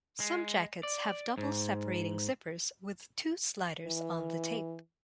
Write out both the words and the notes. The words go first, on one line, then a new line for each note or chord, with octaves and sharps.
Some jackets have double-separating zippers with two sliders on the tape.
G#3
D5
G#2
E3